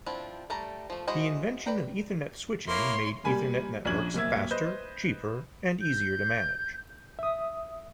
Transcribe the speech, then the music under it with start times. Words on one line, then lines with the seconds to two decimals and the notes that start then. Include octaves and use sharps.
The invention of Ethernet switching made Ethernet networks faster, cheaper, and easier to manage.
0.06 F3 C4 D4 E4
0.50 G3 A3 D5 A#5
0.90 F3 A3
1.07 G#3 E4 F#4 C5 D#5
1.66 B4 D5 G5 A#5
2.67 A#3 E4 C#5 C6
3.24 G3 A#3 G#5 B5
3.85 A#1 C#4 D4 G#6 F#7
4.14 D1 B1 A#3 E5 G#6
4.50 B4 C5 D#5 G6
5.81 G6
7.19 E5 D#6